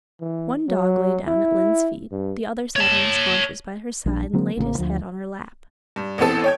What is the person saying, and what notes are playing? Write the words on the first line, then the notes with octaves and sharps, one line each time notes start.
One dog lay down at Lynde's feet, the other sat on his haunches by her side and laid his head on her lap.
E3
F#3
E4
G2
C#5 A5
A#1 D4
D3 F#3 A#3 C4
A1 C#3 F3 A#3
D2 F3
G2
A1 E3 B3 C4 A4
C#5 G5 G#6